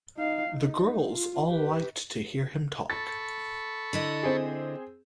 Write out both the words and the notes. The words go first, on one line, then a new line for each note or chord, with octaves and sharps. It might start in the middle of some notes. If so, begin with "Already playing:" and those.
The girls all liked to hear him talk.
D#4 F5
D#4
F4
G4 B4
A4 B5 C#6 A6
D3 E4 D#5
C4 G#4